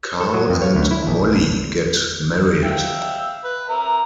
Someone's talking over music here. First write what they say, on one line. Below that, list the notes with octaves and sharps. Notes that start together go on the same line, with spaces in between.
Carl and Molly get married.
A4
F#3
F2
C#5
D2
E4
A#1
E5 F5 G5
B4
A#4 E5 A#5